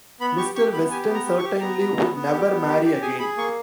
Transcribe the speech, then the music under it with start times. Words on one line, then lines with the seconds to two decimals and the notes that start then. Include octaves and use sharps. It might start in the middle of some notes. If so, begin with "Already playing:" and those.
Mr Weston certainly would never marry again.
0.20 B3 B5
0.37 G4 C#6
0.55 G4 C#6
0.73 B3 B5
0.91 G4 G#5
1.08 B3
1.15 A#5
1.26 G4
1.38 C#6
1.44 G4
1.61 B3 A#5
1.79 B3
1.96 B3
2.15 B3
2.32 G4
2.50 B3
2.67 G4
2.85 G4
3.02 G#4 G#5
3.19 G#4 B5
3.37 A#3 C#6